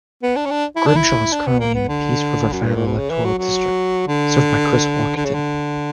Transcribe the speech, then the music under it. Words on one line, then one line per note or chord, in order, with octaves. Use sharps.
Grimshaw is currently in the Peace River federal electoral district, served by Chris Warkentin.
B3
D4
C#4
D4
E4
D4
E4
D4
B3
A#3
B3
D3
F#2
G2
A#2
B2
C#3
E3
F#3
F#3
D3
D3
C#3
D3